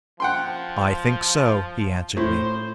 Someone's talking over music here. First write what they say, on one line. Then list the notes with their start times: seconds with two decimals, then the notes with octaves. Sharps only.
"I think so," he answered me.
0.20 F3 F#5 G5 C6
2.17 A2 C5